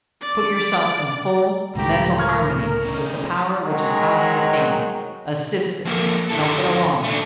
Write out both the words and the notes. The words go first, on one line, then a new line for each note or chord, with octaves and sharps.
Put yourself in full mental harmony with the power which is causing the pain; assist it; help it along.
D5 D6
G1 C#2 A2 E3 A3 G4 A#5
A#4 C#6 F6 G#6
A3 C#4 D#4
G#2 D#3 F#3 G#3
F3 A3 A#3 G4 A4 A#4
G2 D3 E4 A4
A3 D4